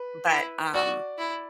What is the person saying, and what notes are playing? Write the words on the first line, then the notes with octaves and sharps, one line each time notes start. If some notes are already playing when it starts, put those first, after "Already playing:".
But, um,
Already playing: B4
E4
F#4 D5
E4